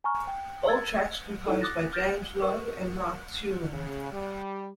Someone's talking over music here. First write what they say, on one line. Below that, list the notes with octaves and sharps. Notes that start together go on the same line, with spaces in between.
All tracks composed by James Lowe and Mark Tulin.
G#5 A#5 C#6 F6
G5
E6 G#6 A6
D#4 E4 A4
D6 D#6 F#6 A6 A#6
F6 G6 A6 A#6 D7 E7
G4 A#4 B4 F#5 C#6
C#3
G3